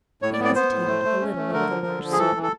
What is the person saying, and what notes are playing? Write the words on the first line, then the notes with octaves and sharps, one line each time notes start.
He hesitated a little over the large sous.
A2 C#5
D5
B3
D5
B3 C5
A2
A3
A3
C#4
A3
D3 A#4
F3
D3
F3
G#4
E3 A4
E3
A4